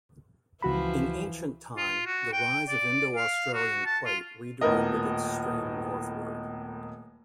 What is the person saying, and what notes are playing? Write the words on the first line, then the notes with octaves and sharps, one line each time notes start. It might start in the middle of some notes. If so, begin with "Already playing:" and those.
In ancient time, the rise of Indo-Australian Plate redirected its stream northward.
C#2 E3 F3 E4 F#4 B5
F4
F#4
G5
D5
F5
F#4
A5
F4
D#1 A2 B3 A#4 D#5